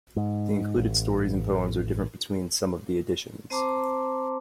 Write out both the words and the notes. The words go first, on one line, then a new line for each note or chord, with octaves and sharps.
The included stories and poems are different between some of the editions.
G#2
A1
C4 C5 A5 A#5 C6 D6